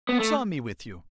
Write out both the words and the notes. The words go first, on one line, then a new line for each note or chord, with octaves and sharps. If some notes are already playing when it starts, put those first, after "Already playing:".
Who saw me with you?
B3
A3